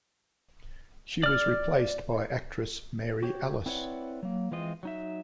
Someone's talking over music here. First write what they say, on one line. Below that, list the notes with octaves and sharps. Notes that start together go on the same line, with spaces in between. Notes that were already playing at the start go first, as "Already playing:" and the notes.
She was replaced by actress Mary Alice.
D5 F6
F#4 G4 C#5
C4 E4 B4 C#5 D5 F#5
F#3 A#3
E3 F3 G#3 C4 F4 D#5
F#3 D#4 E5